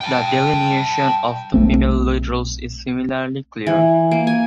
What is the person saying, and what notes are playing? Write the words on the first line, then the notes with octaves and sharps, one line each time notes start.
The delineation of the female lead roles is similarly clear.
G5 A5
B1 A3 C4
E3
A#3
G#5